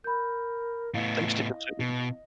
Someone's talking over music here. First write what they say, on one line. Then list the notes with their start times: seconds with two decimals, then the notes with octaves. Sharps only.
things to consider.
0.04 A#4 B5 G6
0.94 A2 B3 E4 D#5 F5
1.80 B2